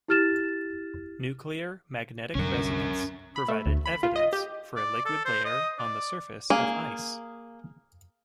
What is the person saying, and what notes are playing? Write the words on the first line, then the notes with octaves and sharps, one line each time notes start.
Nuclear magnetic resonance provided evidence for a liquid layer on the surface of ice.
E4 G4 F6 A6 E7
C2 F#2 D3 C#4 A#4
B5
A3
D2
B5
F4
D#5
G4
D5
A4
C5
D#5
D5
A#3 G#4